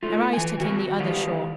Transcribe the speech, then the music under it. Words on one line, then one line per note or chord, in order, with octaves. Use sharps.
Her eyes took in the other shore.
A3 F4
E3 G#5
D#3 F#4 A#4
D#3 E3 G3 F5